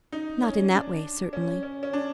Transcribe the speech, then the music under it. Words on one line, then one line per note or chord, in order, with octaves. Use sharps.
"Not in that way, certainly."
D#4
C#4
D4
C#4
C#4
C#4
D4